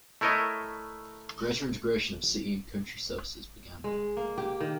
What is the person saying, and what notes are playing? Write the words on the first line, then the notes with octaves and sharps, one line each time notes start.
Greater integration of city and country services began.
A3 E4 A#4 C#5 D#5
G#3
A#3
G4
D#3